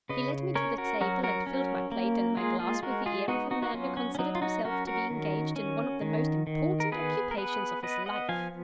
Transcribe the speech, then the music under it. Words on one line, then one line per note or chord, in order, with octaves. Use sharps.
He led me to the table, and filled my plate and my glass with the air of a man who considered himself to be engaged in one of the most important occupations of his life.
C#3 B4 D#5
C#4 A#4 C#5
F#4 A#4
F#3 F#4 A#4
F#4 A#4
C#4
A#3
G#3 F4 G#4
F4 G#4
G#3 F#4 A#4
F4 G#4
B3 D#4 F#4
D#4 F#4
F#4
F#3 C#4 F4
C#4
C#4
F#3 D#4
F4
D#4 F#4
C#4 F#4 A#4
F#4 A#4
D#3
C#4
D#3
D#3
A#4
B3 G#4 B4
A#4
B3 G#4 B4
B3 B4 D#5
D#5 F#5
F3 F5 G#5